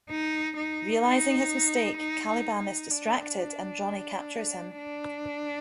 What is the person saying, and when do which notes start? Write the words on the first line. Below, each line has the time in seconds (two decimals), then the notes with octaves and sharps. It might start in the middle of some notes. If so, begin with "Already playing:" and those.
Realizing his mistake, Caliban is distracted and Johnny captures him.
0.10 D#4
0.57 D#4
1.05 D#4
1.97 D#4
2.29 D#4
2.59 D#4
2.91 D4
4.78 D4